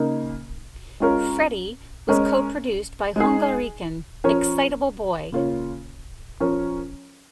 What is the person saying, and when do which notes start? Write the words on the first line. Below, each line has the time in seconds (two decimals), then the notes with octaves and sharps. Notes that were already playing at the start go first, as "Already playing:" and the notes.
"Freddie", was co-produced by Hunga Rican, Excitable Boy!
Already playing: C#3 A#3 D#4
1.00 G#3 C#4 F4 A#4 C#5
2.09 G#3 C#4 A#4 C#5
3.16 G#3 D#4 G#4
4.24 F3 C#4 A#4 C#5
5.32 C#3 A#3 F4 C#5
6.40 F3 C#4 A#4 C#5